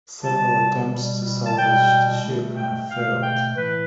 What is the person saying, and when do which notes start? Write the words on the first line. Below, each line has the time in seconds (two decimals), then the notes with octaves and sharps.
Several attempts to salvage the ship have failed.
0.23 C3 G3 A5
0.90 B2 G3
1.45 A5
1.56 B2 G3 G5
2.22 B2 A3
2.55 G5
2.88 B2 A3 F5
3.22 G5
3.55 A2 E3 A3 B4